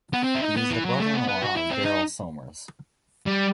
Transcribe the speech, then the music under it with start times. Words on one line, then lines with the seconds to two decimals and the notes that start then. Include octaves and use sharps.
He is the brother-in-law of Daryl Somers.
0.14 B3
0.24 C4
0.36 E4
0.42 D#4
0.57 B3
0.71 E3
0.85 F#3
1.00 A3
1.14 B3
1.28 B3
1.42 F#4
1.56 E4
1.71 C4
1.85 D#4
3.27 G3